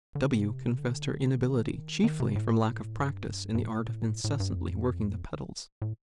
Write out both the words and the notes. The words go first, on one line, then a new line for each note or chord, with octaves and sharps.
W---- confessed her inability, chiefly from lack of practice in the art of incessantly working the pedals.
D3
C3
D3
D#3
D#3
C3
A2
G2
G2
A2
A2
G2
F2
A2